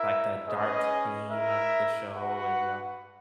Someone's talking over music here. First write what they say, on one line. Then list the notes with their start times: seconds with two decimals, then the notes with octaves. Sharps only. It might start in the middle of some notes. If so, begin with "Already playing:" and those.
like, the dark theme of the show and, you know.
Already playing: E4 A#4 E5
0.45 C#4 G#4 B4 D#5
1.29 E4 A#4 E5
2.14 F#4 B4 F#5